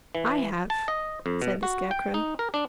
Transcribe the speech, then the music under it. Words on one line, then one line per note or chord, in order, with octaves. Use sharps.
"I have," said the Scarecrow.
E3
A5
D#5
F2
B2
F#4
G5
D#4
A#4
D4